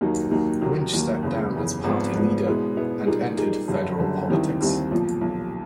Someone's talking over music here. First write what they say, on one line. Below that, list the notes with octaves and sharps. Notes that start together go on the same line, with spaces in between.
Winch stepped down as party leader, and entered federal politics.
D#2 D#3 F#3 A#3 D#4
D#2 D#3 F#3 A#3 D#4
D#2 D#3 F#3 A#3
D#2 D#3 F#3 A#3
F#1 E2 C#3
F#1 E2 C#3
G#1 G#2 F3 G#3 B3
G#1 G#2 F3 G#3 B3
B2 G#3 B3 E4
B2 G#3 B3 E4
A#2 G3 A#3 D#4 G#4
A#2 G3 A#3 D#4 G#4
F#1 F#2 D3 G3
F#1 F#2 D3 G3
D#2 D#3 G3 C4 E4
D#2 D#3 G3 C4 E4
B1 A#2 F3
B1 A#2 F3